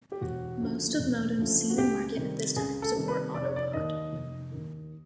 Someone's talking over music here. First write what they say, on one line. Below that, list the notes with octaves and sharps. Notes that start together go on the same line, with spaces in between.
Most of modems seen in market at this time support autobaud.
G4
E1 F#4
D2 C#3 F3 A3
E1
D2 C#3 F3 A3
F#4
C#2 G4
C3 D#3 G3
C#2 G#4
A4
C3 D#3 G3
B4
F1 D5
C#5
D5
D#2 D#3 D#5
F1
D#2 D#3